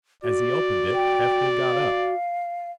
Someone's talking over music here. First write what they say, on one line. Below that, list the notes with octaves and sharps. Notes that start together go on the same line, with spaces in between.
As he opened it, Ethne got up.
F#4 D5
G5
F5